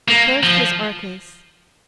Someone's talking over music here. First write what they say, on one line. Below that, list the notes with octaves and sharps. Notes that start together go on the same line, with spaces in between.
The first was Arcas.
A#3
F3